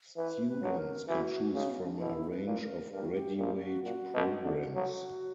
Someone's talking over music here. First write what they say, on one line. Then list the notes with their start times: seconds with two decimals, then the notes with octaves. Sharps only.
Students can choose from a range of graduate programmes.
0.16 E3 B4
0.47 B4
0.62 F#3
0.78 A#4
1.08 E3 F#4
1.54 C#3
1.68 B3
1.78 C#4
1.89 D4
2.00 B2 E4
2.30 B4
2.46 A#2
2.61 A#4
2.92 G2 A#4
3.05 F#4
3.14 G4
3.37 A#2 G4
3.60 F#4
3.83 A#2 F#4
4.14 B2
4.44 D3
4.75 F#3 F#4